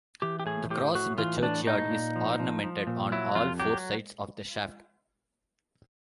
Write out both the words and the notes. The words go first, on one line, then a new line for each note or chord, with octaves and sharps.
The cross in the churchyard is ornamented on all four sides of the shaft.
E3 G4
G4
A2 G#4
A2 G4
A2 F#4
E3 F4
A2 D4
A#2 D#4
A#2
F3
F3
F3
A#2
F#3 E4
F2 F4
F#3 G4